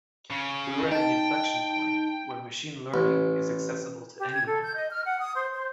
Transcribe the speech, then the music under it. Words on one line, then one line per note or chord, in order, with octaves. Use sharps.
We're at an inflexion point where machine learning is accessible to anyone.
C#3
D#4 G5 A5
A1
G4
G#6
A4
G6
D#5
F6
F#5
D#6
C5
C5